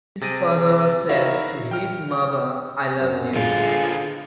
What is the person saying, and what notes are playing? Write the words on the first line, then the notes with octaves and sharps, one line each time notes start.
His father said to his mother I love you.
C3 G#4 A6 A#6 D7 D#7
D#4 E4 F#4 A#4 E5 F5
G5 F6
F#2
D3 F4 G#4